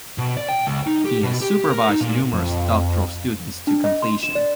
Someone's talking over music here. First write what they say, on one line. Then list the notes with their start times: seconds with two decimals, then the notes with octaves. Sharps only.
He has supervised numerous doctoral students to completion.
0.18 B2
0.37 D5
0.49 G5
0.67 C#2
0.87 D#4
1.05 G4
1.23 B2
1.41 G4
1.70 A#4
1.88 D#4
2.01 A#2
2.33 F2
3.67 D4
3.84 D#5
4.02 C6
4.23 E7
4.35 D5